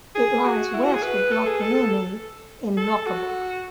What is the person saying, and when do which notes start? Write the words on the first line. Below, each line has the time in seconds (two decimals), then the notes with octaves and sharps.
It lies west of Loch Linnhe in Lochaber.
0.15 G#4
0.45 F#4
0.74 E4
0.84 F#4
0.94 G#4
1.03 B4
1.31 A4
1.47 G#4
1.61 A4
1.75 A4
2.77 A4
3.06 F#4